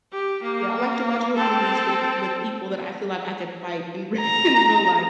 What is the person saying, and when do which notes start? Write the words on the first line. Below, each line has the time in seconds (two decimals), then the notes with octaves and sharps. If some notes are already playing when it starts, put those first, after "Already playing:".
Yeah, I like to watch horror movies with with people that I feel like I could fight in rea in real life.
0.12 G4
0.42 A#3
1.36 C4 A4
4.21 A#5